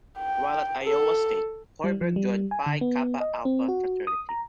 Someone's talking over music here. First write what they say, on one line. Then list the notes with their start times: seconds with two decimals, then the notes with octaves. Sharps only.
While at Iowa State, Hoiberg joined Pi Kappa Alpha fraternity.
0.18 G5
0.84 A4
1.84 G3
2.01 F3
2.16 G3
2.51 G#5
2.66 D3
2.81 B3
3.20 D#5
3.45 C4
3.69 F#4
4.07 D#6
4.29 A#5